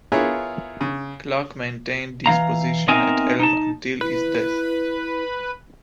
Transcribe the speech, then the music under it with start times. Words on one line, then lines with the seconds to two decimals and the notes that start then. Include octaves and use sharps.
Clarke maintained this position at Elm until his death.
0.12 B3 E4 F4 G#4 A#4 C#5
0.81 C#3
2.26 E3 C4 F5 A#5
2.88 B3 C4 D#4 A#4 E5 G#5
3.40 D#4 A5
4.01 E4 B4